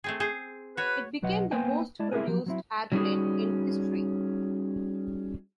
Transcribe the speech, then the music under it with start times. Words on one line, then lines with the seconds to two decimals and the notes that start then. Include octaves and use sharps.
It became the most produced airplane in history.
0.04 A3 C4 G#4
0.20 G#4 C5
0.77 F#4 B4 C#5
1.22 B1 F#3 B4 D#5 F#5
1.51 A#3 B3 B4 C5 G5 G#5
1.99 G#3 E4 D5 A5
2.12 C4 E4 G4 G#4 A#4 G#5
2.27 F3 F#3 G4
2.46 F#3 C4 E4
2.92 F#3 G3 C#4 D#4 F#4 G#4